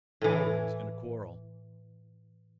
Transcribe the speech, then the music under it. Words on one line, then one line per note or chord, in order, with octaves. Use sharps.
Always in a quarrel.
A2 E3